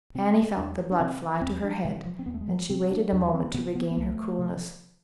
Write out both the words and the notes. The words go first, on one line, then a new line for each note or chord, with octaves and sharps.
Annie felt the blood fly to her head, and she waited a moment to regain her coolness.
C3 C4
E2 D4
D4
C3 C4
E2 C4
D4
C3 G#3
F3
C4
E2 B3
A3
G#3
F3
C3 C4
D4
E2 D4
C4
C3 B3
B3
B3
C2 A3
C3